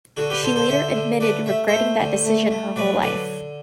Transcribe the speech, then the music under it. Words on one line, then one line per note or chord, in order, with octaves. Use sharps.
She later admitted regretting that decision her whole life.
D3 F#4 A4
G4 B4
D3 A4 C5
A4 C5
D3 C5 E5
D3
A3 B4 D5
A3 E5
C5 E5
A3
D3
A3
A3
F#3 B4 D5
D3 B4 D5